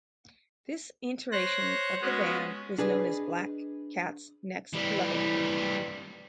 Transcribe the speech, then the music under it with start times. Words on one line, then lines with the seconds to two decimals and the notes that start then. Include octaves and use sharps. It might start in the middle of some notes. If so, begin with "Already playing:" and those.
This iteration of the band was known as Black Cats Next Level.
1.32 C5 C#5 F#6 A#6
2.02 G#3 B3 C#4 F#4
2.78 D4 G#4 B4 D#5
4.74 E3 G3